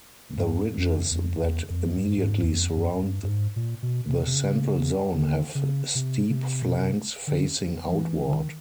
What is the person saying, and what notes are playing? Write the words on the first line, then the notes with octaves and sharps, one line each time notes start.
The ridges that immediately surround the central zone have steep flanks facing outward.
G2
F2
E2
F2
E2
F2
G2
G2
G#2
E2
F2
F#2
G2
G2
G#2
A#2
B2
C3
C3
C#3
D3
C#3
C3
C#3
C3
B2
C3
D3
F3
E3
D3
D#3